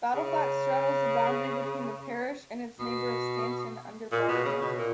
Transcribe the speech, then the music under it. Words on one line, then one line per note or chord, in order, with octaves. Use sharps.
Battleflat straddles the boundary between the parish and its neighbour of Stanton under Bardon.
C#3
B2
A#2
B2
C#3
B2
A#2